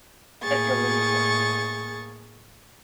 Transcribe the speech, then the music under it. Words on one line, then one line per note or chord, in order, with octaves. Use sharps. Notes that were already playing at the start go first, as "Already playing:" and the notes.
At your leisure.
A2 A#3 G#4 C#6 A6